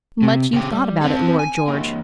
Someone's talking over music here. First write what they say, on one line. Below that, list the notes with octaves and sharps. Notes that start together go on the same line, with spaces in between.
"Much you thought about it, Lord George."
C3
C#3 G4
G3
C4 A4
G#5
E3 A#3